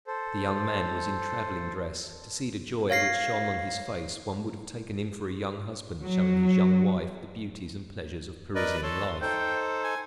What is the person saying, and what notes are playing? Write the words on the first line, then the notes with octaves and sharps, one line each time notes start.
The young man was in traveling dress; to see the joy which shone on his face, one would have taken him for a young husband showing his young wife the beauties and pleasures of Parisian life.
A4 C5
C#5 F5 A#6 C7
F#3
A#4 B4 D5 D#5
A4 C#5 C6
C6
D#4 A4 C5 G5
G#5